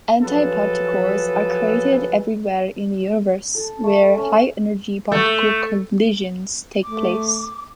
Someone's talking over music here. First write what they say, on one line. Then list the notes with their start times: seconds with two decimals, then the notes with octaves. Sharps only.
Antiparticles are created everywhere in the universe where high-energy particle collisions take place.
0.22 F3 F#3 G#4 A4 B4
3.55 A4
3.84 A3
4.17 C#4
5.12 A3
6.84 A3 D6